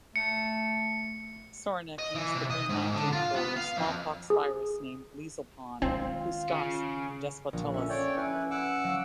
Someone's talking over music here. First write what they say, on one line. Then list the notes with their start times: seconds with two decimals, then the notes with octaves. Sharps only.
Soranik used the Green Lantern Corps smallpox virus named Leezle Pon, who stops Despotellis.
0.16 A3 C#7
1.99 D#5
2.15 E3
2.35 C3
2.50 D#5
2.69 G#2
2.93 D3
3.12 F4
3.36 B3
3.57 F5
3.78 F2
4.30 G#4
5.82 D#3 G#3 C4 F4
6.50 C#3
7.53 A#1
7.74 C#4 A4 E5
7.89 C#5 D5 G5
8.17 E4 B4 G#5 F6
8.51 F#5 D6 E6
8.84 F#3 F5